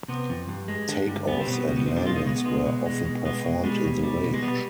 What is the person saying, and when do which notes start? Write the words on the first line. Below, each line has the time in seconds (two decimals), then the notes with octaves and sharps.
Takeoffs and landings were often performed in the range.
0.08 C3 B3
0.29 F2
0.48 G2
0.68 G#3
0.88 D3
1.08 G2
1.27 G3 B3
1.40 C4
1.47 B2
1.52 B3
1.67 G3 G#3
1.77 B3
1.86 B2 C4
1.97 D4
2.06 G#3 F4
2.16 D#4
2.26 B2 G#3
2.36 B3
2.45 G#3
2.66 B2
2.86 G#3
3.05 B2
3.25 G#3 B3
3.44 B2
3.64 G3 G#3
3.84 B2
4.03 G3
4.23 B2
4.34 G#3
4.43 G3 B3